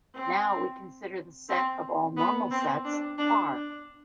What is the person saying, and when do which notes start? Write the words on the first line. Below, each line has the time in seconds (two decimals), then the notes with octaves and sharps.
Now we consider the set of all normal sets, "R".
0.14 C4
1.49 C4
2.17 B3
2.51 C4
2.84 D4
3.18 D4
3.52 D4